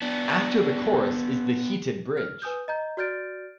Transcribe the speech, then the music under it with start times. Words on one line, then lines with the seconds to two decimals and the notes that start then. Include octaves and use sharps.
After the chorus is the heated bridge.
0.02 B3 D4
2.17 F6
2.42 B4 G#5 D#6 G6
2.68 D#5 A#5 G6
2.97 F#4 D5 F6 G6 A6 D7